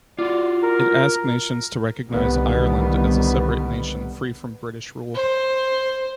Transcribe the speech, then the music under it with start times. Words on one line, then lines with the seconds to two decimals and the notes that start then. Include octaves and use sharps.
It asked nations to recognise Ireland as a separate nation, free from British rule.
0.19 F4 F#4 D5
0.63 A#4
2.10 C2 D3 D#3 G3 B3
5.15 C5